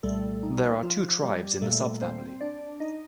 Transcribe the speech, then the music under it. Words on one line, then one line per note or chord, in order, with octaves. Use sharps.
There are two tribes in the subfamily.
C2 A#2 G3 A3 A4
D#4
F3 F4
G3 G4
A#2 G3 A3 A#3 A4
C4 C5
D4 D5
D#4 D#5